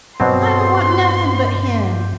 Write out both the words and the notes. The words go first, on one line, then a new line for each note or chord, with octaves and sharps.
"I don't want nothing but him."
G2 B2 F#3 C4 C6